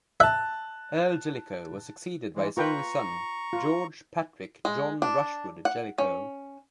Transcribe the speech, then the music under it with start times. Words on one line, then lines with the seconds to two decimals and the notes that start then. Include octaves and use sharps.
Earl Jellicoe was succeeded by his only son, George Patrick John Rushworth Jellicoe.
0.20 E5 A5 F#6
2.36 E3 G#3
2.57 F4 B4 G5 A#5 C#6
3.53 F4
4.65 G#3
5.02 D4
5.65 F#5
5.98 C#4